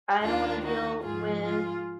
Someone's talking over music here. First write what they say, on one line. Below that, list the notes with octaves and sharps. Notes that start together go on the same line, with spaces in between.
I don't wanna deal with,
D#2 D#3 D4 F4
D#4 F#4
G#2 F3 F4 G#4
F4 G#4